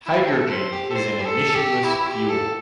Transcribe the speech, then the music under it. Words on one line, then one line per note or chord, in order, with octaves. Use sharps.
Hydrogen is an emissionless fuel.
E4
G4
A4
A4
C5
G4
A4
C5
G4
A4
A4
G4
E4
G4
A4